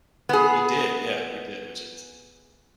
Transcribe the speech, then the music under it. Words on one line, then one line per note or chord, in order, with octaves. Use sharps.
We did, yeah, we did, which is
B3 G#4